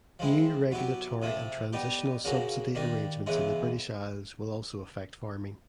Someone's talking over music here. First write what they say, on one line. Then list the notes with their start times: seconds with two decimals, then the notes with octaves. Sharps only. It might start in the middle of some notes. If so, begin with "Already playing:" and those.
New regulatory and transitional subsidy arrangements in the British Isles will also affect farming.
0.19 F3 G#3 C4 E4
0.71 F#3 B3 E4 G4
1.22 C3 F3 A3
1.73 G3 B3 D#4 G4
2.24 C#3 F3 A#3 C#4 F#4
2.75 D#3 G3 A#3 D4
3.26 C#3 E3 G#3 B3 E4